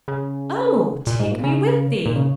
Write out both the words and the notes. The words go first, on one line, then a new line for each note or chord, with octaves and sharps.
'Oh! take me with thee!'
C#3
A#2
G#2
A#2
C#3
A#2
C#3